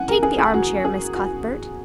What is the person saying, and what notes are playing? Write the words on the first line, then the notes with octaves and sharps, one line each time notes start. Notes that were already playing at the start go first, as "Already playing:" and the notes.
Take the armchair, Miss Cuthbert.
Already playing: F2 F#5 G#5
A#4
G#4
G#4
F#4
G#4
F#4